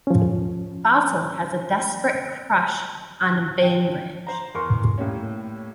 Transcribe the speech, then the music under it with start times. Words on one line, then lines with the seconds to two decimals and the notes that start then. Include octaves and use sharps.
Fossil has a desperate crush on Bainbridge.
0.07 F3 C#4
3.62 G5
4.27 C5 A#5
4.55 E2 A#4 C6 C#6
4.98 A2 G3 A#3 C#4